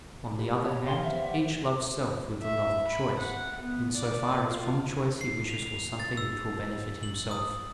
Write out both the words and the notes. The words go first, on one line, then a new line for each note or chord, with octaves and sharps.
On the other hand, each loves self with the love of choice, in so far as from choice he wishes for something which will benefit himself.
G4 B4
C#5
F5 G5 C6
B3 C5 E5
D5 F#5
E5
B5
F#5
B3
D5
F4
C7
F7
A6
E6
F#7
D#6